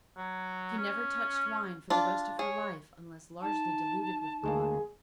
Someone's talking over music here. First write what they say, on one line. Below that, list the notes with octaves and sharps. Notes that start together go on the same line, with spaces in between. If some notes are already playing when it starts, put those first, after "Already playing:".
She never touched wine for the rest of her life unless largely diluted with water.
F#3
C#4
D4 F4
G#4 C#5
D#4 A5
D2 G#3 A#3 G#4